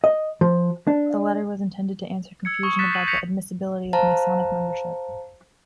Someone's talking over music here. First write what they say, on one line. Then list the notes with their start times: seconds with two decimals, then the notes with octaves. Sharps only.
The letter was intended to answer confusion about the admissibility of Masonic membership.
0.04 D#5
0.41 F3
0.87 D4
2.45 E6 G#6 C#7
2.63 C#6 D#6 C#7 G7
2.79 F#6 A6 B6 E7
2.91 G6 A6 C7 D#7 F#7
3.07 G6 A#6 B6 C#7 F7
3.93 C5 F5 A5 A#5